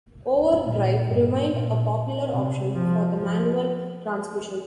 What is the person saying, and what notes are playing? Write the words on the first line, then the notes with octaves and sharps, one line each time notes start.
Overdrive remained a popular option for the manual transmission.
A#2
G2
A#2
C3
F3
F3